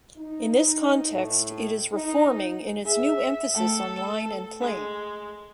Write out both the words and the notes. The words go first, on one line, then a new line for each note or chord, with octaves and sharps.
In this context it is reforming in its new emphasis on line and plane.
D#4
A2
D#4
G#4 E5
A3 A4 G5 A5
G#3